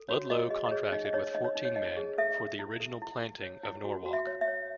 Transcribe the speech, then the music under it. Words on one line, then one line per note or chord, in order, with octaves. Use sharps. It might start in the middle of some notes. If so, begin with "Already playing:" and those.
Ludlow contracted with fourteen men for the original planting of Norwalk.
Already playing: A4
F#4 C#5
F#4 D#5
G#4 D#5
D#5
G#4 C#5
D#4 D#5
D#5
D#4 C#5
D#4 D#5
C#5
D#4
C#5
D#4 D#5
G#4
A4 E5
A4
E4
A4
E4
E4
C#5
E4
F#4
F#4
E5
C#5
E5
C#5